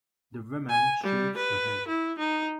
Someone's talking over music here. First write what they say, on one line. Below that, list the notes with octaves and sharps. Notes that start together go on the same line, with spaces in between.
The woman shakes her head.
G#5
G3
B4
E4
D#4